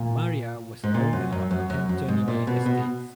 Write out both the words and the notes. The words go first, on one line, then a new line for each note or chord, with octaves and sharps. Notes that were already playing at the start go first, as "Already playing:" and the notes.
Maria was owner of Antoniny estates.
Already playing: A#2
G#2
A#2
F#2
F#2
F#2
F#2
F#2
G#2
A#2
B2
B2